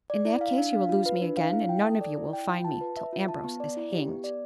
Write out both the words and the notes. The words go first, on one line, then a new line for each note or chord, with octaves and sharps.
"In that case you will lose me again, and none of you will find me till Ambrose is hanged."
D5
E4
F5
D4
F5
F4
B4
D4
F5
E4
G5
A4
D5
E4
G5
F4
A5
B4
E5
F4
A5
B3
D5
E4
G4
B3
D5